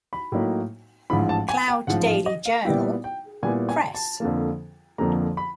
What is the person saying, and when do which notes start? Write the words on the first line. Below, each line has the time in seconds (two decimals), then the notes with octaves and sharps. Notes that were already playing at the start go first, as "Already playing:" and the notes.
Cloud Daily Journal-Press.
0.13 B5
0.32 A2 F#3 A#3 D#4
1.10 A1 G#2 F3 B5
1.29 A5
1.49 G#5
1.68 G5
1.87 A1 G#2 F3 F#5
2.07 F5
2.26 D#5
2.46 F5
2.65 A#2 G3 B3 E4 G5
3.04 G5
3.43 A#2 G3 B3 E4 G#5
3.69 G#5
3.95 A5
4.20 F2 D3 F3 A#3
4.98 F2 D3 F3 A#3 A#5
5.37 B5